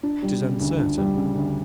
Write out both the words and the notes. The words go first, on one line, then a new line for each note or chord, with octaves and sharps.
It is uncertain.
D4
G3
C#3
D2
D4
G3
C#3
D2